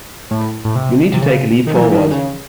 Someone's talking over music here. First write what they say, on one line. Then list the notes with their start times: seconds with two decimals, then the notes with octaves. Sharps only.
You need to take a leap forward.
0.31 A2
0.65 A2
0.76 C3
1.13 C3
1.22 C#3
1.67 D#3
1.75 F#3
1.81 E3
1.92 E3
1.96 D#3
2.11 C#3